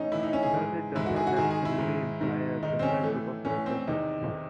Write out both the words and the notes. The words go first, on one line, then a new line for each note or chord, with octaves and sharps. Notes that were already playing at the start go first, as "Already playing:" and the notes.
Thus, it does not necessarily imply a similar group of characteristics.
Already playing: A2 E3 C#4 D#4
A2 E3 E4
D#4
C#4
G#4
G#2 E3
G#2 E3 E4
F#4
G#4
F#4
G#2 D#3 G#4
G#4
E4
G#2 D#3
G#2 D#3
G#2 D#3 D#4
C4
C#4
A2 E3 A3
A2 E3 C#4
C4
E2 C3 D#3 D#4
C3 D#3